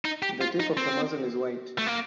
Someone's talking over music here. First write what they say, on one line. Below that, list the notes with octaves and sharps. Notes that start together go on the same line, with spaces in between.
The tip of the muzzle is white.
D#4
G4
F4
D#4
C4
A3
A#3